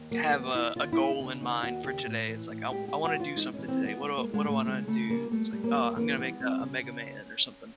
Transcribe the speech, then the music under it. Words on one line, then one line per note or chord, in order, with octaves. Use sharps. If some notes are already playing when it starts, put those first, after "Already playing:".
have a a goal in mind for today." It's like, "I w I wanna do something today, what do what do I wanna do?" It's like, "Oh, I'm gonna make a a Mega Man or something."
Already playing: D#2
F#3 A#3
D#2 B3
D#2 E4
D#2 F4
E4
D#2
D#4
C#3 D4
D#2 D#4
D#2 F#4
C#3 G4
A2
E3
A2
G#3 G4
G4
G#3
F#4
E3
F4
G#3 D#4
C#4
E3
C4
G#3 B3
G#3
A#3
G#3
G#3
A2
A3
C#3 G#3
C#3 A3
G3 A#3
G3 A3
G3
A#3
F#2
E3 A#3
G3 B3
G3 C4
C#3 C#4
C#3